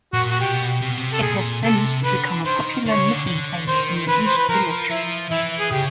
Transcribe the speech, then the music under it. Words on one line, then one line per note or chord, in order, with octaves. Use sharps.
It has since become a popular meeting place in the East Village.
A#2 F#4
F#4
B2 G4
C3
B2
C3
A4
A#2 G#4
C3 A4
D3 B4
D#3 C5
D3 C#5
C#3
D3
D3
D#3 C5
E3 B4
C5
B4
F3 A#4
F3 E4
E3 E4
G#4
C#3 G4